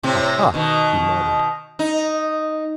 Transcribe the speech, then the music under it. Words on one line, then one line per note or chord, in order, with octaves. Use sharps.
"Aha!" he muttered.
A2 C3 C4
B2 D#3
D#4